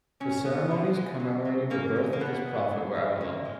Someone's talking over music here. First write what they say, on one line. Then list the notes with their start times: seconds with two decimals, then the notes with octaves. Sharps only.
The ceremonies commemorating the birth of this prophet were outlawed.
0.20 A#2 C#4
0.45 F#3 B3
0.71 B2
0.95 G#3
1.20 A#2
1.45 F#3
1.70 C#3 A#3
1.96 G#3
2.13 A#3
2.20 B2 B3
2.46 G#3
2.70 A#2
2.95 G#3
3.20 C#3 A#3
3.45 G#3